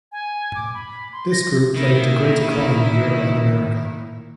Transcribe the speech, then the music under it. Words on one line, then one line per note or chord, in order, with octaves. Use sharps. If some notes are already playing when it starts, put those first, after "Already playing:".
This group played to great acclaim in Europe and America.
G#5
D6
B5
C6
A#6
A#2 D#3 A#3 E4